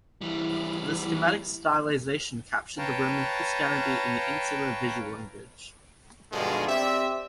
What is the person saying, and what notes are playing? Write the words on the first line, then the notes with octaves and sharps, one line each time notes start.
The schematic stylization captured the Roman Christianity in the Insular visual language.
E3 G3
B4 C#5 F5 G5 A5 A#5
G2 B2 D3 D#3 F3 G#3
C4 G4 D5 E5